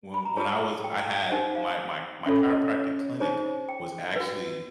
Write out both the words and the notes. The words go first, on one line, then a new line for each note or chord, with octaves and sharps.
When when I was I had my my my chiropractic clinic was actually
B5
A#5
F4 G#4 C#5 A5
G5
D#4 G4 C5 F#5
F5
C#4 F4 A4 C#5 E5
D#5
C#5
D#4 G#4 C5 C#5
G5
F#4 B4